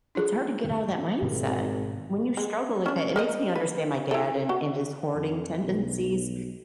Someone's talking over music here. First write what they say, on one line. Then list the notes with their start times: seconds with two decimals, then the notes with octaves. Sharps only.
it's hard to get outta that mindset. When you struggle like that, it makes me understand my dad and and his hoarding tendencies
0.15 D4 F4 G#4 A4
1.22 G#1 G#2 B2 D#3
2.37 G#3
2.86 C#4 D4
3.16 A#4 C5 D#5
3.55 B4
4.11 E4 A4
4.49 F#4
5.15 F2
5.64 B1